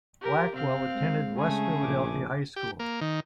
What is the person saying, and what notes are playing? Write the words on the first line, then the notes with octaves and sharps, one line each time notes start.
Blackwell attended West Philadelphia High School.
G4 A#4
C3 C4 F5
G#3
C#3 A3 G#4
A#1 D6
G4
A#3
D#3